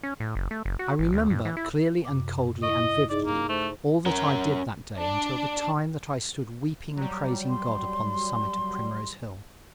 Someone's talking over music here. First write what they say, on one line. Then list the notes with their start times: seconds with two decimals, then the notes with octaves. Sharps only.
I remember, clearly and coldly and vividly, all that I did that day until the time that I stood weeping and praising God upon the summit of Primrose Hill.
0.03 C#4
0.20 A2
0.35 F#1
0.51 A3
0.65 F#1
0.79 F#4
0.99 G#1
1.13 D2
1.30 G2
1.45 E3
1.57 E4
2.05 F#2 C3 D6
2.63 E4 D#5 C#6
3.10 D#4 G#4 D5 D#5
3.26 A#3
3.49 A3 C5
4.06 C#4 A#4
4.98 D4
6.96 F#3 G3 A#5
7.49 C6